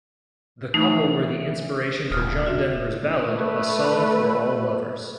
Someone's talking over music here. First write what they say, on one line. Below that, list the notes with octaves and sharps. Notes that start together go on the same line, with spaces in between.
The couple were the inspiration for John Denver's ballad A Song For All Lovers.
E3 A3 D#4
D#1 D#6 F6
F#4 E5
A3 B4